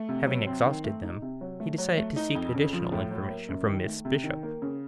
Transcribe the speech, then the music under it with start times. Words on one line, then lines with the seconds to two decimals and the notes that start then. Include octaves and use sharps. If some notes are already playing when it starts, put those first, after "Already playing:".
Having exhausted them, he decided to seek additional information from Miss Bishop.
Already playing: A3
0.09 C3
0.27 F#3
0.47 C4
0.66 D#3
0.84 A3
1.03 D#4
1.22 C3
1.41 F#3
1.60 A3
1.78 F#3
1.97 A3
2.16 D#4
2.35 F2
2.54 C#3
2.73 F3
2.92 A2
3.11 F#3
3.29 A#3
3.48 F#2
3.68 D#3
3.86 A3
4.05 C3
4.24 D#3
4.43 A#3
4.62 C#3